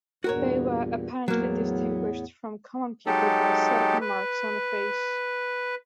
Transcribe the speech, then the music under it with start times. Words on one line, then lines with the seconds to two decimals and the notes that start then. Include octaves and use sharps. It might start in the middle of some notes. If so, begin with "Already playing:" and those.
They were apparently distinguished from common people by certain marks on the face.
0.24 E2 G2 A#2 F#4 A#4 C#5
1.28 E2 A2 F#3 A#3 B3
3.06 F#3 G#3 D#4 G4 A4
4.01 B4